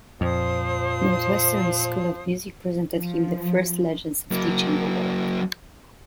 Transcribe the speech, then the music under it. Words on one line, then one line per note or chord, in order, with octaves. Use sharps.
Northwestern's School of Music presented him the first Legends of Teaching award.
F2 A#2 F3 C5 D#6
F3
F#3 A#3